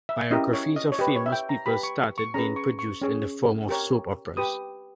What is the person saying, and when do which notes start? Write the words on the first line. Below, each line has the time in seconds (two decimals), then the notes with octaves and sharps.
Biographies of famous people started being produced in the form of soap operas.
0.09 E5
0.31 C#4 E4 G4 A#4 D#5
0.53 C#5
0.76 D#5
0.92 C#5
0.99 G4 B4 D#5
1.16 C#5
1.26 E5
1.32 G5
1.49 A#5
1.66 G4 B4 B5
1.83 C#6
2.18 C#6
2.34 C#4 G#4 B4 A#5
2.56 C#6
2.79 C#6
3.02 C#4 G#4 C#5
3.69 G4 A#4 C#5
4.37 G4 B4 D#6